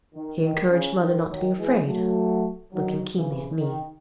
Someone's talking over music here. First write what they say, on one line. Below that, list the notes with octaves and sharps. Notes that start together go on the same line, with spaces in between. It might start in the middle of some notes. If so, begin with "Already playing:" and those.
He encouraged mother not to be afraid, looking keenly at me.
D#3
D#3
C#3
D#3
D#3 F#3
E3 G#3
F#3 A3
D#3 F#3
C#3 E3
D#3